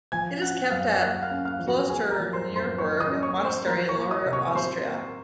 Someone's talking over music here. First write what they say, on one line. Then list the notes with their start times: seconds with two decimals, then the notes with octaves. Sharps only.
It is kept at Klosterneuburg Monastery in Lower Austria.
0.12 F3 G#5 G#6
0.41 C#4 F#5 F#6
0.70 F#2 F5 F6
1.00 A#3 F#5 F#6
1.22 F5 F6
1.31 C#4
1.45 F5 F6
1.59 F3
1.67 F#4 F#5
1.89 A#3 G#4 G#5
2.11 A#4 A#5
2.20 F3
2.33 C5 C6
2.48 F#2
2.56 C5 C6
2.78 A#3 C#5 C#6
3.00 D#5 D#6
3.07 C#4
3.22 C#5 C#6
3.37 A#3
3.44 C5 C6
3.66 F#3 A#4 A#5
3.89 C#5 C#6
3.96 A#3
4.11 D#5 D#6
4.26 C3
4.33 C#5 C#6
4.55 F#3 C5 C6
4.86 A#3